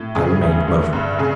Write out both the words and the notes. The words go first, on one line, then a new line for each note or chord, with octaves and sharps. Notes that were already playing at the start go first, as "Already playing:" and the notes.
I remained motionless.
Already playing: A2
C#3 G#4
D2
D3
G2
C#3 G#4